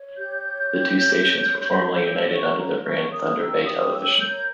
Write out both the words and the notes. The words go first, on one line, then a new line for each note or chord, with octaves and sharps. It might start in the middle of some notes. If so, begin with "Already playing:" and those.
The two stations were formerly united under the brand Thunder Bay Television.
Already playing: C#5
G4 G6
C#5
G4
C#5
G4
C#5
G4
C#5 E6
G4 C#6
C#5 A#5
C#5 C#6
A#4 D#6
G4 E6
G4 D#6
C#5 E6
A#4 G6